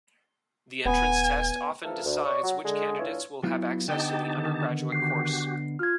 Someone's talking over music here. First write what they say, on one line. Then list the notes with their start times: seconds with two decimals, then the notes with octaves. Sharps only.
The entrance test often decides which candidates will have access to the undergraduate course.
0.85 D#1 B3 G#5
1.84 E2 F3 A3 A#3 A4 F6
2.05 D2
2.25 C#5 D5 C#6
2.43 F#3
2.64 D3 G#3
2.99 G2 E3 A3 F4 C#5 E5
3.43 F#3 B3 E4 F4
3.88 D3 B3 D#4 G4 D#5 G5 A5
4.37 D#3
4.92 F#4 G4 C7
5.79 F4 F6 G#6